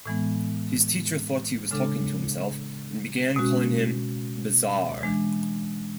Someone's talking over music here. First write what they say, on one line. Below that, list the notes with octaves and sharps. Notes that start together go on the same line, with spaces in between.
His teacher thought he was talking to himself, and began calling him 'Bizarre'.
A2 E3 G#3 B3
C#3 G#3 D4 A4
B2 G#3 C#4 F#4
E3 G#3 D4